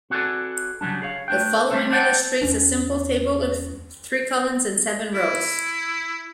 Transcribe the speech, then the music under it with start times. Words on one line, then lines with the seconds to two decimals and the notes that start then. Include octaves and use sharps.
The following illustrates a simple table with three columns and seven rows.
0.10 C4 F#4 G#4 A4 B4 D5
0.81 C#3 E3 F#3 G3 D4
1.02 G#4 C#5 F5
1.28 A3 D4 G5
1.70 G3 A3 A#3 C4 D4 A4
1.91 C5 D5 F#5 G5 A5
2.42 E2 C#4 D4
5.14 E4